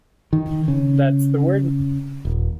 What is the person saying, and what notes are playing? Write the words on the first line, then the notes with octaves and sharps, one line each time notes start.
That's the word.
D#3
C#3
D#1